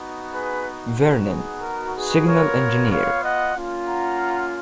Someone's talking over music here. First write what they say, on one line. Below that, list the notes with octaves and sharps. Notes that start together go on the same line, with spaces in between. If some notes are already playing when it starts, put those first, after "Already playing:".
Vernon, Signal Engineer.
Already playing: B3 D#4 F#4
G#4 B4
B3 D#4 F#4
G#4
A#4
G#4 B4
B3 F4 A#4 C#5
C#5 F5
D#5 F#5
A#3 C#4 F4
F#5 A#5